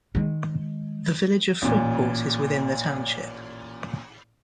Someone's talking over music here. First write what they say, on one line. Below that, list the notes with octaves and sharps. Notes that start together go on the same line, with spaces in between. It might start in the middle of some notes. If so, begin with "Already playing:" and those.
The village of Fruitport is within the township.
D#3 G#3
A1 A#2